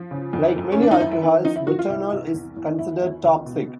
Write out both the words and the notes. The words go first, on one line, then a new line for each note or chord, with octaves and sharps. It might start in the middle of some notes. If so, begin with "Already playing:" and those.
Like many alcohols, butanol is considered toxic.
Already playing: F3
C#3
F2
F#2
C#4
D#3 D4
D#4
F#2 E4
E4
D#3 E4
F3 D#4
E4
F3 F#4
F4
C2 E4
C2
E2
E2
E2 E4
E2
C#2
B2